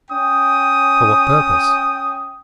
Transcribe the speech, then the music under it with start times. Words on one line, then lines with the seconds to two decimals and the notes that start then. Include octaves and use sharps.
"For what purpose?"
0.11 C#4 G5 D#6